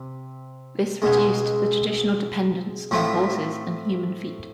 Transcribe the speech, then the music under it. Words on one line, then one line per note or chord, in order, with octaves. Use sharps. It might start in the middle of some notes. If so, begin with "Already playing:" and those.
This reduced the traditional dependence on horses and human feet.
Already playing: C3
C#2 B2 G#3
A2 F3 A3 C4 E4